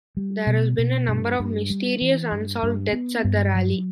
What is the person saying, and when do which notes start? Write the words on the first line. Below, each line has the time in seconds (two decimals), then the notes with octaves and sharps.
There has been a number of mysterious, unsolved deaths at the Rally.
0.17 G3
0.47 B2
0.78 B2
1.08 G2
1.40 G2
1.70 G3
2.01 E3
2.32 G2
2.63 G2
2.93 B3
3.24 G2
3.55 F#3